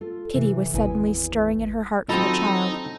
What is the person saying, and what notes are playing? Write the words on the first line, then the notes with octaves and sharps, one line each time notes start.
Pity was suddenly stirring in her heart for the child.
F4 A4
C3 E3
G#1 E2 E4 G#5
D#3 F#3 C4 D#4 F4 A4 D#5 B5